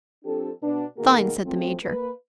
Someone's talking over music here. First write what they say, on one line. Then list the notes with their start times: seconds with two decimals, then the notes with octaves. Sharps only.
"Fine," said the Major.
0.25 F3 C4 D4 G4 A4
0.63 B2 B3 D4
0.98 B2 D#3 A#3 F#4 G#4 A#4
1.45 F#2 F3 A3 C4
1.83 A#3 B4